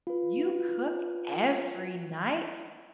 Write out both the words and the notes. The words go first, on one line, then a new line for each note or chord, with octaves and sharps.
"You cook every night?"
F4 B4